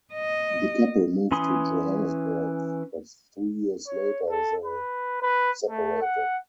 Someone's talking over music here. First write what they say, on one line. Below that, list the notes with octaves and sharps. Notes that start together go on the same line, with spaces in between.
The couple moved to Johannesburg, but three years later they separated.
D#5
E3 C#4 B5 C6 D#6
C#5
A4
B4
B4
A3
F#5